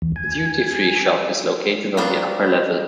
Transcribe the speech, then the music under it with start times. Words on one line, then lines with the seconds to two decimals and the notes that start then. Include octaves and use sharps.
The duty-free shop is located on the upper level.
0.02 E2
0.16 G#5
1.97 F#3 B3 C4 D4 F4